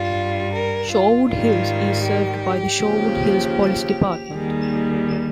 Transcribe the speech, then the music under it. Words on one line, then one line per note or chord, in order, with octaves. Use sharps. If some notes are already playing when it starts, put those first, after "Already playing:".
Shorewood Hills is served by the Shorewood Hills Police Department.
Already playing: G2 G3 F4
A#4
F4
G#2 D#3 G3 F4
G4
D#2 C#3 F3
D#2 D#3 G3 G#4